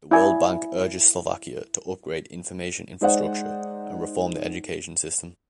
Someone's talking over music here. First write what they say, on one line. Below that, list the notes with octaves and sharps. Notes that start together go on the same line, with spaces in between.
The World Bank urges Slovakia to upgrade information infrastructure and reform the education system.
E4 D5 G#5
G#3 D#4 G#4 C5 D5 F#5